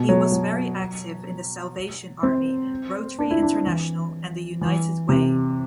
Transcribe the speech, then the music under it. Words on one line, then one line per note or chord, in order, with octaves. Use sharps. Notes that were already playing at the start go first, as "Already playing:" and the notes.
He was very active in the Salvation Army, Rotary International and the United Way.
Already playing: B2
F#3
F#3
C4
D4
E4
D4
E3
E3
C3